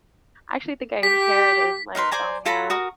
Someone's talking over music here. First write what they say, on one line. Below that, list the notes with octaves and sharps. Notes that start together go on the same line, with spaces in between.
I actually think I inherited my insomnia.
G4 B6
D#4 A#4 B4 C6
C5 D5 G#5 A#5
F4 A4 A#5 B5
F#4 A#4 D#6